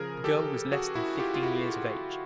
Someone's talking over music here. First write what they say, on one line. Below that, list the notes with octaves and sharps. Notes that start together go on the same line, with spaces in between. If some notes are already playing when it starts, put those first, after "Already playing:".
The girl was less than fifteen years of age.
Already playing: C#3 F3 G#4 A#4
G4 A4
F#4 G#4
E4 F#4
F4 G4
F4
E4 F#4